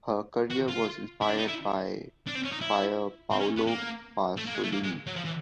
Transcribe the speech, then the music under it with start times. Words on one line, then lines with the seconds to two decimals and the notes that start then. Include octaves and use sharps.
Her career was inspired by Pier Paolo Pasolini.
0.51 F#4
0.69 F4
1.22 E4
1.30 D4
1.39 D#4
1.48 E4
2.27 D4
2.35 C4
2.45 C#4
2.52 D#4
2.61 E4
3.32 C4
3.41 C#4
3.58 B3
3.67 A#3
4.37 A3
4.46 A#3
4.55 G#3
4.63 A3
4.72 A#3
4.84 G#3
5.07 F#3
5.16 F3
5.25 E3